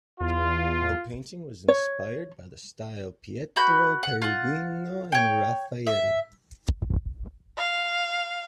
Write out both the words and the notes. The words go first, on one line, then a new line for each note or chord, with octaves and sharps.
The painting was inspired by the style of Pietro Perugino and Raphael.
E2 F4
C#5
F#4 B4 B5 G6
F#5
F4 F#5
C#5 G5
E5
F5